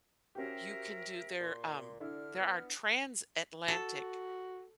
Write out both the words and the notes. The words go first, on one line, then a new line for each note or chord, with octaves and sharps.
you can do their, um there are transatlantic
C#4 F#4 G4 A#4 C5 E5
A#2 C6
D3 D4 E4 F6
B3
F#4 A4